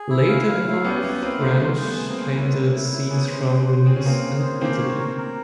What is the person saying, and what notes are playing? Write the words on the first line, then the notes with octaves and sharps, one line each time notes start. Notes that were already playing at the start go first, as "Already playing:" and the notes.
Later in life, Cranch painted scenes from Venice and Italy.
Already playing: G#4
E4
F5
F5
E4
B3 C#4 G4
B3 C#4 E4
A#3 C4 F5
A3 B3 C5
G3 A3 C5
G#4
A3 B3
G#4
A#3 C4
C5
B3 C#4 E4
E4
E4
E4
B3 C#4 G#4
C5
C5
C5
C4 G#4
C#4
A#3 C4 G#4
G#4
C5
A#3 C4 G4
C#5
A#4
A#4